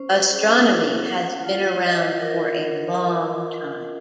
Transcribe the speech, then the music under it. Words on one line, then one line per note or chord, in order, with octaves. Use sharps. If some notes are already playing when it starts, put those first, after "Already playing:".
Astronomy has been around for a long time.
Already playing: C#4 C5
G#4
E4
F#5
F4
D#5
A#4